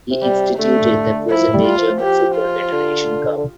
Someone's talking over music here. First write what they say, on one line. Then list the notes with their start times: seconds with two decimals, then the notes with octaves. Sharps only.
He instituted the present-day German Football-Federation Cup.
0.11 C3
0.23 G3
0.34 C3
0.58 D3 A3
1.30 F3 E4
1.53 G3
1.65 F4
1.78 F3
2.01 G4
2.36 F4
2.72 D3
3.37 D3